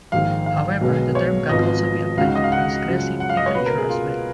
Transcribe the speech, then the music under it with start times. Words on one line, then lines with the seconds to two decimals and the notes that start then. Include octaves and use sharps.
However, the term can also be applied to transgressive literature as well.
0.12 A#1 G#2 D#3 G#3 F5
0.46 F5
0.81 B1 B2 G#3 B3
1.15 C#5
1.49 G#1 G#2 F3 B3 F4 D#5
2.17 C#2 C#3 G#3 D#4 F#4 F5
2.35 D#5
2.44 F5
2.52 F#5
2.86 F#2 C#3 F3 G#3
3.20 F#5
3.29 F5
3.37 D#5
3.46 C#5
3.55 C#2 B2 A#3 B4
3.66 A#4
3.78 G#4
3.89 F4